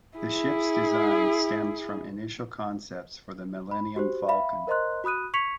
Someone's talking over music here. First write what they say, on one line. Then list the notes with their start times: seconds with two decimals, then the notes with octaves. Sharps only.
The ship's design stems from initial concepts for the "Millennium Falcon".
0.18 E4 G#4
3.71 B5
3.96 F#4 G4 C5
4.28 E5 F5 B5
4.67 A#4 C5 D#5 A#5 C6 F#6
5.04 F#4 B5 D#6 F#6 D#7
5.34 C#6 G#6 B6 C#7 F7